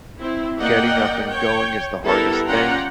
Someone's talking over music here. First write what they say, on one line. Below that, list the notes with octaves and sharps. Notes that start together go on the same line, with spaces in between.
getting up and going is the hardest thing,
C4 E4
A#3 A#4 D5 D#5 F#5 G5
C#5 G5
G3 B3 E4 A4 A#4
C#4 F4 D5 F#5 G5 A#5